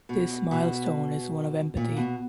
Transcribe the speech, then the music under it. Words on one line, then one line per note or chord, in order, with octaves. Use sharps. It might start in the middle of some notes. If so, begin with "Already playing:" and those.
This milestone is one of empathy.
B2
B2
A#2
B2